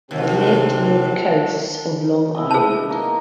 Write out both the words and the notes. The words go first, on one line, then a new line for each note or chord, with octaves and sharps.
They lived near the coasts of Long Island.
D#2 C3 F#3 C4 D4
B3 E4 D#5
G#4 A5
A#3 D#4 A#4